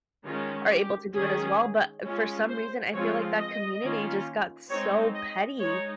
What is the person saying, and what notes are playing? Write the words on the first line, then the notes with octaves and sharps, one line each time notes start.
are able to do it as well, but, uh, for some reason, I feel like that community just got so petty.
D#3 G#3 C#4 F4
G4
D#3 G#3 C#4 G#4
G#3 C#4 F4
C5
F3 G#3 C4 F4 C#5
D#5
D#3 A#3 C#4 F4
G#3 C4 D#4 C#5
D#5
G#3 D#4 C#5